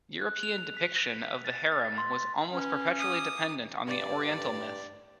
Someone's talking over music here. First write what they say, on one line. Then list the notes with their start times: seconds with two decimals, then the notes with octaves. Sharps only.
European depiction of the harem was almost perpetually dependent on the Oriental myth.
0.22 F#6
0.43 F7
0.77 B6
1.45 A6
1.72 A6
1.98 C6
2.53 C#4 B4
2.98 D6 D#6
3.87 G2 D5